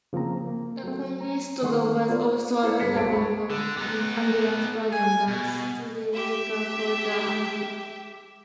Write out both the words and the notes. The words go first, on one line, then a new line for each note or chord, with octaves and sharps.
The Conestoga was also available in an ambulance version that Studebaker called the Ambulet.
C#3 F3 A#3 C4 A#5
A#3
F#3 A3 C4
A#5
D#3 G#3 F#5 C6 C#6
B3 F4 C5 D5
E4 A4 C5 D5
G2 G#4 B6 C#7
C2 C4 F#4 A5 G#6 D7
B5 C#6
D3
B3 D#4
G#5
B2
G4 E5